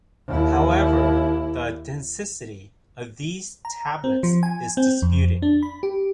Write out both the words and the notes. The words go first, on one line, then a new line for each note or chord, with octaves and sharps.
However, the authenticity of these tablets is disputed.
D#2 E4
A#5
C4
F3
G#5
C4
F2
D4
B5
G4